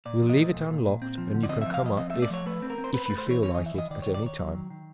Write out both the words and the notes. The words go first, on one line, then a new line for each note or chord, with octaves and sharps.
We'll leave it unlocked and you can come up if--if you feel like it at any time.
A#2 D5
F3
D#5
A3
A#2
A#2
A#2
C4
F3
D3
D5
C4 D#5
F3 E5
F5
F3 D#5
C4 D#5
A3 E5
D5
F3 C#5
A3 B4
C4
A#4
C4
C5
C4 B4
A3 B4
C5
E3 C#5
C4 C#5
E3 D#5
E5
E3 D#5
D#3 D5
D#3 C#5
D5
D#3 C#5
F#3
D#3
D#3